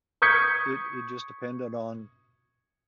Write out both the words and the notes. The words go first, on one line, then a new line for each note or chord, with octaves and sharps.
It it just depended on
C#6 D#6 G6 G#6 B6 C#7